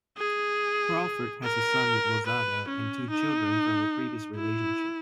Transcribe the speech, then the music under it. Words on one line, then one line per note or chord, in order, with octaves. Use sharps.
Crawford has a son with Lozada and two children from a previous relationship.
G#4
A#4
B4
C#4
D#4
E4